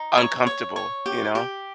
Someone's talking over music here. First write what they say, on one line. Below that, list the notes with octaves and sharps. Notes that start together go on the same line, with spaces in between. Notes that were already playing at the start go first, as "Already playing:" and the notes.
uncomfortable, you know?
Already playing: D#4
C#5
C#5
C#5
G4
G4